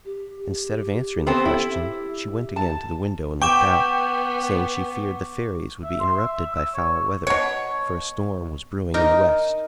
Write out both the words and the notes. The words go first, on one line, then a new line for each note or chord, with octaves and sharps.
Instead of answering the question, she went again to the window and looked out, saying she feared the fairies would be interrupted by foul weather, for a storm was brewing in the west.
G4
B3 C4 A4
E4
A5
B3 G5 C#6 D6 E7
E5
C6
E5
E6
C#5
B2 C#5
D#4 A#4 D#5